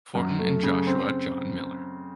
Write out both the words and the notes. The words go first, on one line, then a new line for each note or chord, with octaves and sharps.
Fortin and Joshua John Miller.
F#2
A3
C#3
C4